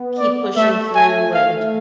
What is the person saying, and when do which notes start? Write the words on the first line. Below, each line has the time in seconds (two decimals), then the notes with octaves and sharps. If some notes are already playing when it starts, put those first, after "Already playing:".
keep pushing through, and
Already playing: B3
0.19 D5
0.57 A3 E5
0.95 G#5
1.34 F5